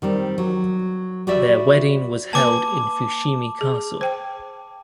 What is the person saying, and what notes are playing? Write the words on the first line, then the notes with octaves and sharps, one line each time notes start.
Their wedding was held in Fushimi Castle.
D#3 G3 C4
F#3
F#4 G4 B4 D5 E5
A#3 B4 G#5 A5 D6
G#4
C5 G5